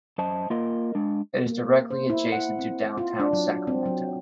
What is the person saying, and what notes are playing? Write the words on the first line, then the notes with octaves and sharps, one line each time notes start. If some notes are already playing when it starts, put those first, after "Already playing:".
It is directly adjacent to downtown Sacramento.
F#2 C5 D#5 A5
A#3 F4 A#4 D#5
G#3 D4
A#3
C5
E4
F#5
C4
F4
D4
F#3
C4
F#3